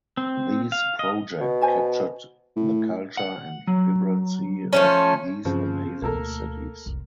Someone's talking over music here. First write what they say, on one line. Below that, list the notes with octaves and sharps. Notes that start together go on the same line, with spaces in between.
These projects captured the culture and vibrancy of these amazing cities.
C4
F5
D#5
B2
C5 G#5 A5
A2
F#5
F#3
F3 A3 C#4
G2 C#3 F3 C4
B1 B2 A3 A#3 A4 A#4
D2
F1 C2